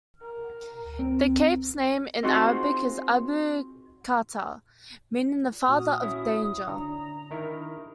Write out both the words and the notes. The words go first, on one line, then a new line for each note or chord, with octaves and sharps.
The Cape's name in Arabic is "Abu Khatar", meaning "the father of danger".
A#4
C4
C4 D#4 F4 F#4 G#4 C5
A#2 F#4 D#6 F6
C#4 E4
D3 D4 A#5
D#3 E4 A#4